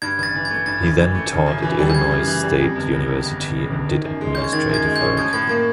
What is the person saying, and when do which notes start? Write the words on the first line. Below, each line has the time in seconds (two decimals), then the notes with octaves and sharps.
He then taught at Illinois State University and did administrative work.
0.02 G2 G#6
0.18 A1 G#6
0.23 A6
0.35 E3
0.45 G#6
0.50 A3
0.66 G2 A6
0.82 A1
0.99 E3
1.15 A3
1.31 C#3
1.46 F#2
1.62 E3
1.78 G3
1.90 G6
1.94 C#3 G#6
2.11 F#2
2.27 E3
2.43 G3
2.60 F2
2.76 G1
2.92 C#3
3.08 G1
3.24 F2
3.41 G1
3.56 C#3
3.72 G1
3.89 D#3
4.04 F#2
4.21 G#3
4.35 C#4 G6
4.44 G#6
4.52 D#3 A6
4.69 F#2 G#6
4.85 G#3
4.96 G6
5.01 C#4
5.17 F3 G#6
5.33 A2 G#6
5.49 A#3 G#6